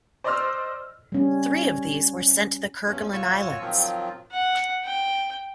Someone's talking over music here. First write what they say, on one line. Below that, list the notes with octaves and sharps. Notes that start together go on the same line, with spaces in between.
Three of these were sent to the Kerguelen Islands.
C5 D5 D#5 C6 E6 F6
G3 C#4
E2 G2 C#4
F4 F#4 C#5 G#5 C#6 E6
D#3 F3 F#3 C4 F4
F#5
G5